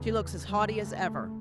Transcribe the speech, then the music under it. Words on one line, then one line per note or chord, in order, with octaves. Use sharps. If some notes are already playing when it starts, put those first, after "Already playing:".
She looks as haughty as ever.
Already playing: E2 C#3
F#2 C#3 G3
A3